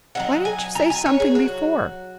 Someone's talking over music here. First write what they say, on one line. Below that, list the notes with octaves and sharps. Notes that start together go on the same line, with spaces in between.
Why didn't you say something before?
F#3 C4 D#4 F#5
G#5
A#5
G#5
C#5
G#4
F#4